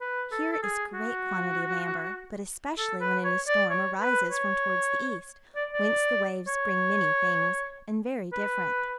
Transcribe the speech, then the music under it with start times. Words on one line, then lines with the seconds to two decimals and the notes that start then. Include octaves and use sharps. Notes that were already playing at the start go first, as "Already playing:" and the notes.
Here is great quantity of amber, but especially when any storm arises from towards the east; whence the waves bring many things, and very different.
0.01 B4
0.32 A4
0.52 A4
0.63 G#4
0.94 F#4
2.78 A4
3.01 B4
3.24 C#5
3.48 D5
3.70 C#5
4.01 B4
4.32 C#5
5.56 D5
5.73 D5
6.48 C#5
8.33 B4